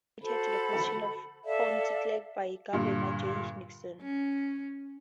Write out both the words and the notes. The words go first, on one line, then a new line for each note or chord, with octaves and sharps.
Chris Flanagan was appointed to the position of County Clerk by Governor Jay Nixon.
F#4 A4 C5 B5
A4 D5 E5 F5
G2 A#2 D3
C#4